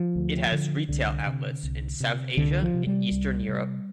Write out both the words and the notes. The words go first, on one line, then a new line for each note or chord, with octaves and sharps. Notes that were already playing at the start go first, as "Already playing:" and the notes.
It has retail outlets in South Asia and Eastern Europe.
Already playing: F3
D2
D3
C2 D3
C3
C2
C3
C2 D3
F3
C3
G3
C2
C3